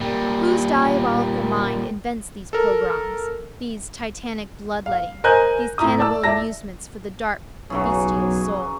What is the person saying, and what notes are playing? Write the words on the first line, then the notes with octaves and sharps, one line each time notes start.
Whose diabolical mind invents these pogroms--these titanic blood-lettings, these cannibal amusements for the dark, bestial souls?
A#2 G3
A4 A#4
F5
A#4 C5 D#5 G#5 F#6 G6
A2 E4 A#5 D#6
D5 A5 E6
D5 E5 A5 A#6
B1 C#3 E3 F#3 G#4